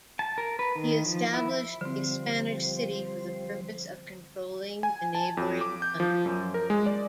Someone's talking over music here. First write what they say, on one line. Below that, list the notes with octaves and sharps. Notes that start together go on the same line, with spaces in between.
He established a Spanish city for the purpose of controlling the neighboring country.
A5
A#4
B4
D#3
F3
E4
D3 F3 G3 C4 C5
G#5
A5
F2
D6
G6
F3
F#2
A#4
G#3
D5